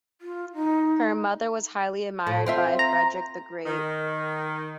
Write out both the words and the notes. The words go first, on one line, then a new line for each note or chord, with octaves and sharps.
Her mother was highly admired by Frederick the Great.
F4
D#4
A2
C4 F4 E5
A#5
D#3